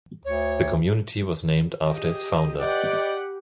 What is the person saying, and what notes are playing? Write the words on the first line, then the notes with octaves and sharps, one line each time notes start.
The community was named after its founder.
D2 C#5
G4 G#4 D#5
G4 B4 D5 D#5 F#5 G5